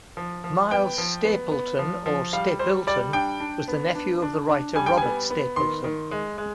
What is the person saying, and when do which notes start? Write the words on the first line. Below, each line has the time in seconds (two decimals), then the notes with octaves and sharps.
Miles Stapleton or Stapylton was the nephew of the writer Robert Stapylton.
0.17 F3
0.44 F3
0.71 B3 G5
0.98 F3
1.24 B3
1.51 B3
1.79 F3
2.06 F3
2.33 G3 F5
2.59 G3 C5
2.87 G3 D5
3.13 D4 G5
3.40 D4
3.68 B3
3.95 D4
4.22 D4
4.49 D4
4.76 G3 G#5
4.86 G5
4.98 B3 G#5
5.30 B3
5.56 D#3 C6
5.84 D#3
6.11 G#3
6.38 G#3